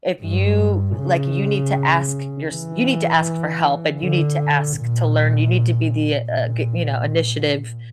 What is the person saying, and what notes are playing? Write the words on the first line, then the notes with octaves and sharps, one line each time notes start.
if you like, you need to ask yours you need to ask for help, and you need to ask to learn. You need to be the uh, you know, initiative,
G2
C#3
E3
D3
A#2
A#2